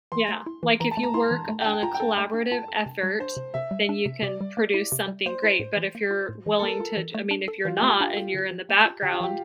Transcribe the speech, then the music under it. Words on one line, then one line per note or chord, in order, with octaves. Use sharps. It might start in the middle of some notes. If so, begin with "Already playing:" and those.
Yeah, like if you work on a collaborative effort, then you can produce something great, but if you're willing to to I mean, if you're not, and you're in the background,
E3 C6
A3
E4
E3
E3 A#5
A5
A3
A#5
E4 C6
E3
A3
D4 G5
A5
F4 A#5
G5
A4 A5
A3
D4
F4 A5
A4
C3
G3
D4 C5
C3
C3 E5
G3
D4
C3
C3 D5
G3
A#3
E4
C3
G3
A#3 C5
E4
A2
E3
A#3
F4
A2
E3
A4
A#3 A#4
F4
E3
A3
D4
A4
E3 F4
G4
A3
G4
D4 F4
A4
D3
F3
A#3
F4
D3 G4
F4
F3 G4